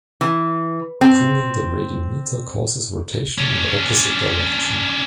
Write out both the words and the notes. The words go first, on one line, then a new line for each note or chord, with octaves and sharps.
Cooling the radiometer causes rotation in the opposite direction.
E3
C4
C#4 D4